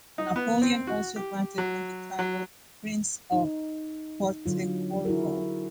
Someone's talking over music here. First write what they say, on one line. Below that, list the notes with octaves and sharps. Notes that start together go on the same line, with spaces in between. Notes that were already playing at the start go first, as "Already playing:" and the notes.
Napoleon also granted him the title "Prince of Pontecorvo".
D#4
B3
C4
F#4
G4
F#3
F#3
D#4
D3 F#3 F4
E4 F#4 G#4 A#4